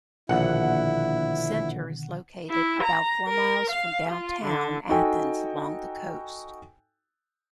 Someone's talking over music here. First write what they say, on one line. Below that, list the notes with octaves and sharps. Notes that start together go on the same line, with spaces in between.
The center is located about four miles from downtown Athens along the coast.
A#1 B2 D3 D#3 E4 F#5
E4
A#5
A#4
F5
F4
D3
D#4 F#4 A4 G5 G#5